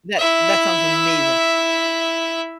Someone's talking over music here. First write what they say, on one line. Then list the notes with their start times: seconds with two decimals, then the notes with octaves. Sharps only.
That that sounds amazing.
0.19 E4 E5